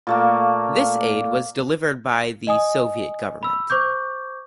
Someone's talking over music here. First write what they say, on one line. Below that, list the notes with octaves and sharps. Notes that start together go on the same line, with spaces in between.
This aid was delivered by the Soviet government.
A#2 A3 A#3
D#5 G#5 D#6
B5 E6
C5 C#6 D6 G6